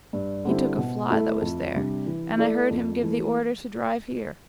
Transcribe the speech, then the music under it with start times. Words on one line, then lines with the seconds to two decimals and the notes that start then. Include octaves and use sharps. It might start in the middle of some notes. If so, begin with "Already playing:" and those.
He took a fly that was there, and I heard him give the order to drive here.
0.13 G2
0.45 D3 G3 C4 E4
0.78 B2
1.10 A3 E4 A4
1.41 F2
1.74 C3 G3 D4
2.06 E3
2.37 A3 E4 A4 D5
2.71 F2
3.02 E3 A3